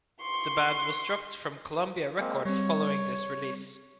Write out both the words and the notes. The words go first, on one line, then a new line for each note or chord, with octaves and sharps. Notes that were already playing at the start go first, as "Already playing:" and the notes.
The band was dropped from Columbia Records following this release.
C6 C#6
G#3 A#3 C4
G3 C4 C#5